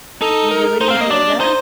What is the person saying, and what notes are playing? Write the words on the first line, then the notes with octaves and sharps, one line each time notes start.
Do you really enjoy that?
D#4 A4
A#4
D#4 C5
C4 F5
A#3
D#5
D4 D5
D#4 C5